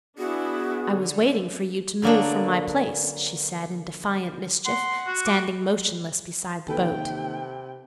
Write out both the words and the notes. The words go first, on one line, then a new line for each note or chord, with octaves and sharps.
"I was waiting for you to move from my place," she said in defiant mischief, standing motionless beside the boat.
B3 D4 E4 F#4 G#4
D3
D3 F#3 A#3 B3 D4
F#5 C6
F#4
D6
D#2 C3 A4 B4 G5